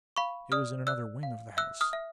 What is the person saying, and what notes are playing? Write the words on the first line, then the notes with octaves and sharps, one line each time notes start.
It was in another wing of the house.
F5 B5 C#6
D5 D#6 F6
D5 E6 F#6
F5
E5 E6 F#6
D#6 F6
E5